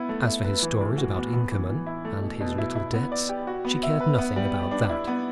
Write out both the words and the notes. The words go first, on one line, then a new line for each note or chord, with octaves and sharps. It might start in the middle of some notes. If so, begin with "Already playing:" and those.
As for his stories about Inkerman, and his little debts, she cared nothing about that.
Already playing: B3 E4
A3
E5
B4
E3
A2
F#4
B3
B3
E3
E3
E4
A3
B2
B2
E4
E4
B3
D5
G4
F#4
B3
E5
B4
B3
G3
G4
D4
E4
B3